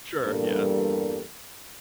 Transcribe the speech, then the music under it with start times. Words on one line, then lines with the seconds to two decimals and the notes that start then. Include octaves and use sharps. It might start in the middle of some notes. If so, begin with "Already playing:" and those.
Sure, yeah.
0.23 E2 G2 G3 A#3 A4 A#4